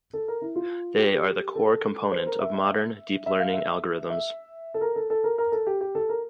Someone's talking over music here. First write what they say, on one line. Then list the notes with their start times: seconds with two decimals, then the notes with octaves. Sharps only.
They are the core component of modern deep learning algorithms.
0.13 A4
0.28 A#4
0.42 E4
0.56 F4
0.98 G4
1.55 A4
2.12 C5
2.27 A#4
2.40 E5
2.54 E5
3.26 E5
3.39 F5
3.54 E5
4.10 E5
4.74 A4
4.81 A#4
4.96 A4
5.10 A4
5.24 A#4
5.38 A#4
5.52 A4
5.67 G4
5.81 G4
5.95 A4
6.09 A#4